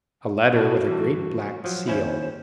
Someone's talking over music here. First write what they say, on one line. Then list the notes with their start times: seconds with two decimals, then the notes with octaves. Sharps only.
A letter with a great black seal!
0.54 B2 D4 F#4 F#5
0.87 G2 E3
1.64 F3 F#3
1.88 D#2 C#4 E4 C5